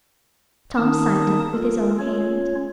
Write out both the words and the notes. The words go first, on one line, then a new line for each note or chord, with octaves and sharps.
Tom signed it with his own hand.
D#3 A#3 D#4 A#4 A5 D#6
F4 A4 A#4
C#4 F4 C#5